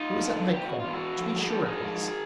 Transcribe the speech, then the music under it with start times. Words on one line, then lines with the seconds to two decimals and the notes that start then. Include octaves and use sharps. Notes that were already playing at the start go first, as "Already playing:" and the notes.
It was at my corner. To be sure it was!
Already playing: D#4 F4
0.20 F2 D3 F3
0.52 E2 B2 G4
0.66 F#4
0.80 E2 F4
0.90 B2 E4 F#4
1.18 A2 F3
1.39 G#4
1.49 A2 F3 G4 A4
1.66 G#4 A#4
1.81 G#2 F3